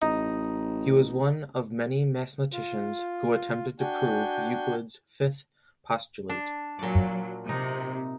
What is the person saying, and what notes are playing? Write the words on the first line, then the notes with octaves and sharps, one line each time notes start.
He was one of many mathematicians who attempted to prove Euclid's fifth postulate.
A1 D#4
F4
D4 F#4 G5 G#5 G6
D4
A#2 F#3 D5
C3 D#4